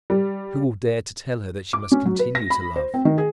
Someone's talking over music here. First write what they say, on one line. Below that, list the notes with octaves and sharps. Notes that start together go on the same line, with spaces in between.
Who will dare to tell her that she must continue to love?
G3
D6
C#4
F#3
B4
A#6
B5
C5
C4
D#3
G#4